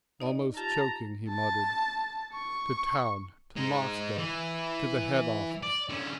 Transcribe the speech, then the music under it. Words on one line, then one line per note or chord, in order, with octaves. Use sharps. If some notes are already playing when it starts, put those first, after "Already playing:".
Almost choking, he muttered: "To town--to Moscow--to the head office."
D#4 D5 D#5
F4 G4 A5 A#5
A5
C#6
G#3 D#4
E3
D5
D3 C#4